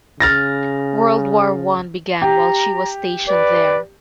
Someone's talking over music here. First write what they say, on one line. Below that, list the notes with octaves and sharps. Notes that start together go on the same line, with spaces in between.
World War One began while she was stationed there.
C#3 F6 A6 A#6
G4 A#5
B4 D5